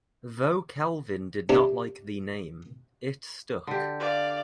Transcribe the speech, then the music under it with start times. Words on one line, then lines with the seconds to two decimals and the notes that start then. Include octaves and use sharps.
Though Clavin did not like the name, it stuck.
1.49 C3 D4
3.67 D3 G4
4.00 D5 F5